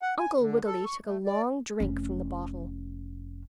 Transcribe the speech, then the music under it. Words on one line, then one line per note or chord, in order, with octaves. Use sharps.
Uncle Wiggily took a long drink from the bottle.
F#5
G#5
D3
A4
C#6
A3
D5
F1 C#4